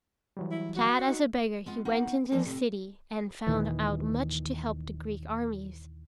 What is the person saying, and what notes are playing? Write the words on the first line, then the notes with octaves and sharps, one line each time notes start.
Clad as a beggar he went into the city and found out much to help the Greek armies.
E3 F#3 G3
E4
F#4
D#4
G#3 B3 F4
B3 D#4 F#4 F5 F#5
E3 F3 A#3 C#4 D4 E4
A2 C3
D#2 A#2 D#3 E3